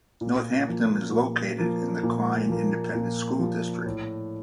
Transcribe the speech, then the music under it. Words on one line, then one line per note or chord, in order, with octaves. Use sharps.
Northampton is located in the Klein Independent School District.
A#2
F3 A#3
A#2
F3 A#3
A#2
F3 A#3
A#2
F3 A#3
A2